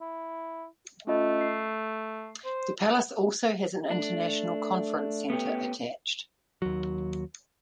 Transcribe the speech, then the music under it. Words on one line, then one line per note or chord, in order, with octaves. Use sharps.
The palace also has an international conference centre attached.
E4
A3 C#4 F4 D#5
C7
C5
A3 D4
B3 C#4 G4
D#2 F#3